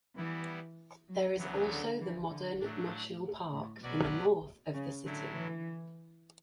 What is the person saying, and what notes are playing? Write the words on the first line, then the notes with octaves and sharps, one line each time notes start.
There is also the modern National Park in the north of the city.
E3 G3 B3 E4
F#3
D2 C#3 E3 F#3 B3
D3
E3
D3
A2 F#3 A3 D4
A2
B2 F#3 C#4 F#4 B4 D5
C#3
A2 D3 F#3 A3 E4
E3